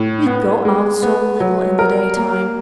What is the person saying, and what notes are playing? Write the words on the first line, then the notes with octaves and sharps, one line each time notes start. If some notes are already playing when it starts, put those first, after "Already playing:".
"We go out so little in the daytime."
Already playing: A2
B3
G#3
B3
F#3
A#4
A#3